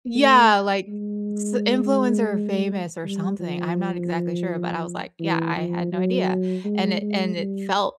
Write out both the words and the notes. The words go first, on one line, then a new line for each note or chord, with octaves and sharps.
Yeah, like, s influencer famous or something, I'm not exactly sure, but I was like, "yeah, I had no idea," and it and it felt
A3
G#3
G3
F3
E3
F3
F#3
G#3
G#3
G3